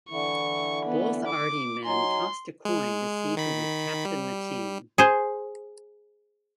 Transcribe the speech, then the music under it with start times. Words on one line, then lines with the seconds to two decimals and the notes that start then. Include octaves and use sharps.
Both Ardee men tossed a coin to see who would captain the team.
0.10 D3 E3 E4 C#6
0.86 B3
1.27 D6
1.85 F#3 D#4 G#5 C6
2.65 G#3
3.37 D#3 B5
4.05 G3
4.98 G#4 C5